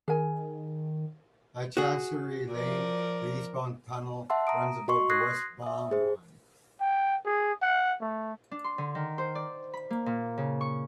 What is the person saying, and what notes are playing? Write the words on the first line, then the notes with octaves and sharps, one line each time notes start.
At Chancery Lane, the eastbound tunnel runs above the westbound one.
D#3 G#4 A#4 G#5
F#4 G#4
F3 A#4 D5
E5 F#5 A5 C6 E6
A#5 D#6 D7
F#4 D#5 C6 C#6
C6 D#6 F#6 G#6 A#6 C7
E5 D#6
G#4 C5
G5
G#4
F#5
A3
D4
C6
D3
D#3
C5
D5
B5
A#3
A#2
C#3
C#6